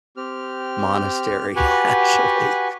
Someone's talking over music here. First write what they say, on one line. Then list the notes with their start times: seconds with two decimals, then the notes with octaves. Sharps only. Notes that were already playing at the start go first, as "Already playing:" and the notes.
monastery, actually.
0.17 C4 G4 F6
1.56 F#4 G4 B4 F#5 G#5